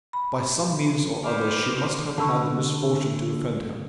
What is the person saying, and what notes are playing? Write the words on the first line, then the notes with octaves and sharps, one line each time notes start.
By some means or other she must have had the misfortune to offend him.
B5
D#3 B4 C5 D6 F6
D3 A4 A5 B5 C#6 E6